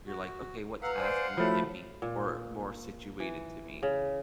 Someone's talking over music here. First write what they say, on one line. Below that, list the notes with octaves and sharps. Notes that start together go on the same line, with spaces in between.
you're like, "Okay. What task can get me, or more situated to me
F#4
B4 F5 F#5 A#5 E6
C5 D5 G#5
F3 A3 E4 F#4 C#5 B5
A#2
E3
C#3